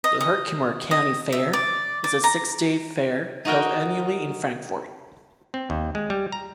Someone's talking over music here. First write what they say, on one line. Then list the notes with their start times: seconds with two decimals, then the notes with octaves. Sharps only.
The Herkimer County Fair is a six-day fair held annually in Frankfort.
0.04 D#5
0.20 D#5
0.91 D#5
1.32 E5
1.53 D5
2.04 D5
2.24 A#5
3.45 D#4 F#4 A#4 G5
5.54 C4
5.70 D#2
5.95 G#3
6.10 G3
6.32 A#5